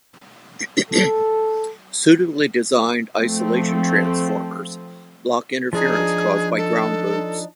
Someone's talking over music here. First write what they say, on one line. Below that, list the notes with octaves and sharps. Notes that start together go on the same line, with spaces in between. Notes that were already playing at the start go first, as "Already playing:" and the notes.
Suitably designed isolation transformers block interference caused by ground loops.
A4
F3 A3 C4
F3 D4 D#4 G#4
A4